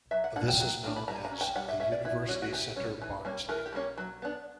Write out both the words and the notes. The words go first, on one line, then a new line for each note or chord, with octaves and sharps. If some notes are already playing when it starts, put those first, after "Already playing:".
This is known as the University Centre Barnsley.
F#3 E5
F#5
A#3 D4 F#5
G5
F#3
A#3 D4
B5
G3 A#5
A#5
C#4
G5
G3 F#5
E5
C#4 E5
D5
E3 E4
G3 C#4 F#4
F#4
E3 G4
G3 C#4
E3
G3 A#3 C#4
E3 A#4
G4
G3 A#3 C#4
F#3
B3 D4